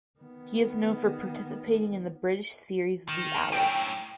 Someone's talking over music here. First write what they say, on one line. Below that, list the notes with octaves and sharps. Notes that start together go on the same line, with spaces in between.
He is known for participating in the British series "The Hour".
D#3 B3
D#3
F#2 A2 G5 D7